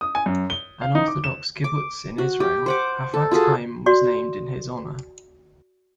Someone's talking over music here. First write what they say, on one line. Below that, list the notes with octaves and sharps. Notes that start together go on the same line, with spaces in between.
An Orthodox kibbutz in Israel, Hafetz Haim, was named in his honor.
D#6
G#5
F#2
G7
F5
D#4
D6
E7
D6
F#4
G4
C5 F#5 D6
A4
F4 F#4 G#4 A4
F#4 D5 C6